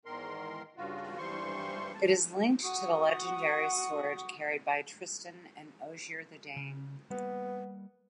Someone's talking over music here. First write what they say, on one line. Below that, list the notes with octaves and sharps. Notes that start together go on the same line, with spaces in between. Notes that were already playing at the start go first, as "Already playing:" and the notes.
It is linked to the legendary sword carried by Tristan and Ogier the Dane.
E2 G#2 D#3 A#4 C6
G2 C#3 F4 F#4
G2 E3 G3 C5 C6 C#6
A5
F#4 F#5 C#6 D#6
C#3
G3 A#3 B3